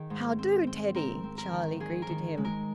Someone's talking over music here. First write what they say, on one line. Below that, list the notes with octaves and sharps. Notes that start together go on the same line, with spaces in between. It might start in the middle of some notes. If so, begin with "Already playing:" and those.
"How do, Teddy?" Charlie greeted him.
Already playing: D#3 G#4
G#2
C4
C4
C4 A#4
C4
A#4
D#3
D#3 G#4
A#4
D#3
G#3
A#4